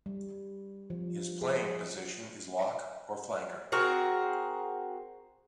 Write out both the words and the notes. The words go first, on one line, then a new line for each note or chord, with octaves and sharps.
His playing position is lock or flanker.
G3
F3
G#4
C4 F#4 G#4 A#4